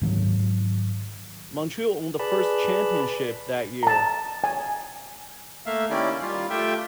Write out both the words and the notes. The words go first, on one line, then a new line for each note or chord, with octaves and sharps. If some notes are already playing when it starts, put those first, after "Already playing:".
Montreal won the first championship that year.
G#2 D#3 F#3
G#4 B4 D5 A5 B5
A5 A#5
G#5
A3 A#3 E5 F5
D#3 A#3 C#4 E4 G4 D5
G3 F4
A3 F4 G4 E5 G5